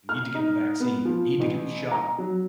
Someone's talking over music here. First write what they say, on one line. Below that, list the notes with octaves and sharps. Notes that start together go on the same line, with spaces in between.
I need to get the vaccine, I need to get the shot,
F6
D#4
B3
F3
A1
A#5
F#3